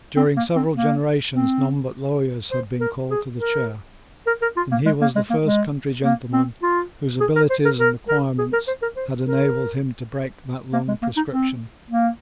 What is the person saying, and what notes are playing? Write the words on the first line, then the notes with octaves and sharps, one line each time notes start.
During several generations none but lawyers had been called to the chair; and he was the first country gentleman whose abilities and acquirements had enabled him to break that long prescription.
C4
A#3
C4
A#3
C4
C5
A#4
G#4
A#4
A#4
A#4
F4
A#3
G#3
A#3
G#3
A#3
G#3
A#3
C4
F4
G#4
A#4
C5
A#4
A#4
A#4
G#4
A#4
C5
A#4
C5
A#4
A#3
G#3
A#3
D#4
C4
A#3